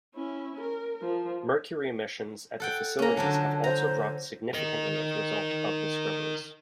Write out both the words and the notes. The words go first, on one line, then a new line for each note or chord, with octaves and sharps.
Mercury emissions at the facilities have also dropped significantly as result of the scrubbers.
C#4 E4
A#4
F3
A4 F#5 G5
A#3 C#4 A#5
D3 F3 F#3 A5
C5 A#5
A#4 D#5